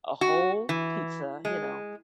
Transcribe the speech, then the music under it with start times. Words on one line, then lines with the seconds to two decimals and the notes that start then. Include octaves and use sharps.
a whole pizza, you know,
0.21 F#4
0.69 E3
1.45 G#3